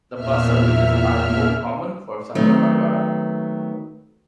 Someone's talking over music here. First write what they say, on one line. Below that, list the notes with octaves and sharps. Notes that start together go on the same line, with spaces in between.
The bus services are more common for Santa Barbara.
E2 A#2 E5 F6
D#3 F#3 A3 B3 C4